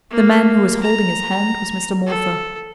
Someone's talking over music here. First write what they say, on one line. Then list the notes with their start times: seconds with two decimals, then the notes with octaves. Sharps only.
The man who was holding his hand was Mr. Morpher.
0.11 A#3
0.83 A#5
2.07 A4